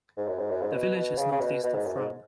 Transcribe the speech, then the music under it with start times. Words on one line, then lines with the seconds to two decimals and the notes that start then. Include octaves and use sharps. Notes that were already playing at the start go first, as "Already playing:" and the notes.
The village is north-east of Frome.
0.17 G#2
0.28 F#2
0.39 G#2
0.50 F#2
0.62 G#2
0.73 B2
0.96 B2
1.18 C#3
1.32 C#3
1.41 B2
1.63 B2
1.74 G#2
1.86 F#2
1.97 G#2